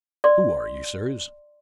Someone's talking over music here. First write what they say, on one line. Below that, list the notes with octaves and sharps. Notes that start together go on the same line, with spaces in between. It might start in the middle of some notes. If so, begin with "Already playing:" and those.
"Who are you, Sirs?"
D5 C6